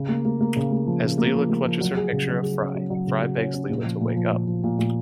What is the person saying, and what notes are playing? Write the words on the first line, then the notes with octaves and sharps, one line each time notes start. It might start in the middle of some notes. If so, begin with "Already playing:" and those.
As Leela clutches her picture of Fry, Fry begs Leela to wake up.
Already playing: C#3
A#3
A#3
A#3
C#3
A#3
F3
C#3
A#3
F3
A#3
F3
F#3
G#4
C#3
F#3
G#4
C#4
F#3
F#3
C#3
F#3
C#4
C#4
A#2
F3
A#2
F3
A#2
F3
A#2
A#2